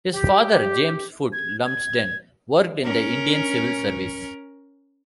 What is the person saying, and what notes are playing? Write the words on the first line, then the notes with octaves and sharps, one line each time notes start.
His father, James Foot Lumsden, worked in the Indian Civil Service.
G4
G#6
G#6
C#4 A#4